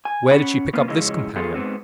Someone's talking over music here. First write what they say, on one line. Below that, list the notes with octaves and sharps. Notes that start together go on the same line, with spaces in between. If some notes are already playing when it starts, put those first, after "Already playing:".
Where did she pick up this companion?
G#5
C#4 F#5 B5
A#2 C#3 A#3 B3
C#3 F3 G#3 C#4 E4 D#5
D#3 F3 B3 F4 G#4 A4
G#2 B3 C4